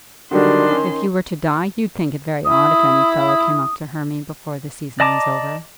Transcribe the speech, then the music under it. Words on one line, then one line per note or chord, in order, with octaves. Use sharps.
If you were to die, you'd think it very odd if any fellow came up to Hermy before the season was over.
D3 D#3 F#3 G3 D4 C6
C#4
E4 D#6
D#6
D5 D#5 A5 A#5 D6